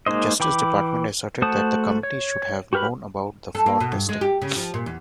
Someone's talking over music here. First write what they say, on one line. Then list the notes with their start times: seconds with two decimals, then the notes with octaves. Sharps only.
The Justice Department asserted that the companies should have known about the flawed testing.
0.06 G#3 A#3 D#4 C5 D#5
0.40 E3 G5 B5 D6
1.42 A3 F#4 C5 A5 D#6
2.03 C#5
2.73 F#4 G4 A#4 B4 B5
3.55 A4
3.66 A#3
3.80 B2
3.92 G2
4.09 G#3
4.21 G4
4.42 C#3
4.56 F3
4.74 A#2
4.86 E2